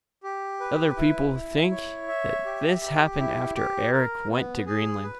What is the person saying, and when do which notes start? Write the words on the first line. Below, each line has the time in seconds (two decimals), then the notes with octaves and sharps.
Other people think that this happened after Eric went to Greenland.
0.23 G4
0.61 B4
0.97 E4
1.34 E4
1.71 C#5
2.08 E5
2.45 G4
2.81 G4
3.18 E4
3.55 G4
3.92 A#4
4.29 B3
4.66 G#4
5.03 B4